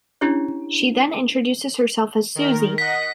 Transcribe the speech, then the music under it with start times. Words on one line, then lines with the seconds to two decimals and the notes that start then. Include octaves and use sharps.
She then introduces herself as Suzee.
0.21 C#4 D4 E4 G4 C#5
2.35 D#3 A#4
2.78 D#5 F#5 A#6 B6